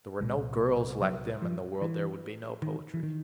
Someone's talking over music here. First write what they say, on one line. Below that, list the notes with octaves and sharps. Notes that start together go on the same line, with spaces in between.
If there were no girls like them in the world, there would be no poetry.
C2 A#2 G#3
F#3
F3
E3
D#3
E3
D#3